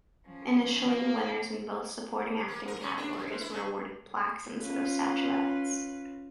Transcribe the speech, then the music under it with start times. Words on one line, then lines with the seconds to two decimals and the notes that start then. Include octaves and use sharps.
Initially, winners in both supporting acting categories were awarded plaques instead of statuettes.
0.25 F3 C#4
0.86 A#3
2.48 A#3
2.68 A#4
2.82 C#4
2.98 D4
3.13 F#2
3.28 G#2
3.41 E4
3.52 C#3
4.59 C#4 F4 B4